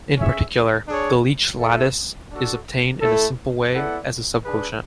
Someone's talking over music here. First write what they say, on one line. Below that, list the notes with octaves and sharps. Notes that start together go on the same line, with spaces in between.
In particular, the Leech lattice is obtained in a simple way as a subquotient.
C#4 G#4 C#5 E5
D4 G#4 C#5
A3 E4 A4 E5
D4 F#4 A4
A3 E4 A4
B3 E4 A4 D5 F#5
D4 G#4 B4